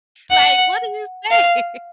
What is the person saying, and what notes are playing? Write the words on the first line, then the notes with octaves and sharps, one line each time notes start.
like, what do you say,
F#5
F5